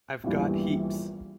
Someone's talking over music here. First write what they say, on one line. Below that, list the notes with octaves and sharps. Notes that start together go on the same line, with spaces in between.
I've got heaps.
A#1 E2 G2 E3 G3